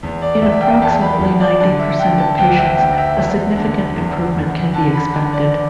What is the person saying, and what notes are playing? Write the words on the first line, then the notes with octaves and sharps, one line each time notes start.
In approximately ninety percent of patients, a significant improvement can be expected.
E2
D5
E2 E5
E5
G5
E2 A5
B5
E2
D5
D3 D5
E5
D3 G5
A5
D2 G5
E5
D2 G5
E5
E2
D3
E2
E2
D3 A5
B5
D3
D5